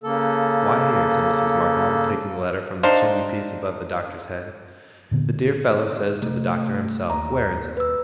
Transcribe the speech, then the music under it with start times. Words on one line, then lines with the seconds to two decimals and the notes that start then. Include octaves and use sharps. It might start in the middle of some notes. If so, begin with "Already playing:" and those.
'Why, here,' said Mrs. Markleham, taking a letter from the chimney-piece above the Doctor's head, 'the dear fellow says to the Doctor himself--where is it?
0.04 C#3 A#3 A4
2.83 D4 D#4 C5 F5
5.11 A#2 D3 B3
6.22 C3 A3
7.10 D#2 A#5
7.77 B4 E6